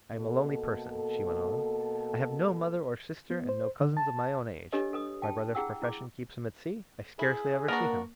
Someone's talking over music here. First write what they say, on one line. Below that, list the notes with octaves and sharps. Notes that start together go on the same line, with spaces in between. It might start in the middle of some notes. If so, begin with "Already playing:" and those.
I am a lonely person," she went on; "I have no mother or sister, and no cousins of my own age. My brother's profession keeps him at sea; I scarcely ever see him.
B2 A#3 A4
B3
C5
D3
A5
D4 G4 A4 B4 C#5 D#5
A4 B4 D#6
G5 A5
E4 G#4 F#5 G5 E6
E4 D6
E4 G#4
A#3 B3 D4 F#4 A#4